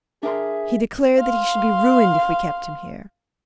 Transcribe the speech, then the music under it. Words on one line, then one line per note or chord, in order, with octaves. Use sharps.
He declared that he should be ruined if we kept him here.
D4 G#4 A#4 E5 C6
F5 C6